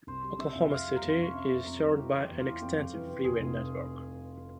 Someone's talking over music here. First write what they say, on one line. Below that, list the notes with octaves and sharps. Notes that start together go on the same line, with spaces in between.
Oklahoma City is served by an extensive freeway network.
C2 C5
G3
C3 E5
C2
F2 F5
G3
A#4
F2
C5
C3 C#5
C#4 E5
F2
F2 A#4
G3
E4 G4
E3
G4
E2
F4
E4
F2 G4
F2
E3
E3
F1 G#4
F1